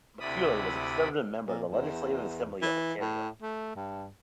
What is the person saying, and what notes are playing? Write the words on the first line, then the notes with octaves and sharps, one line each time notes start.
Macaulay was a Conservative member of the Legislative Assembly of Ontario.
D2 C3 E4 D5 B5 D#6
A#2
E2
E3
A2
A3
G2